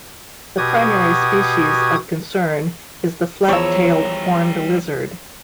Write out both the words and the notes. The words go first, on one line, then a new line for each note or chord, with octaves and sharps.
The primary species of concern is the flat-tailed horned lizard.
B2 F#4 G4 D#6 G#6
E2 F3 G3 C#5 A#5 E6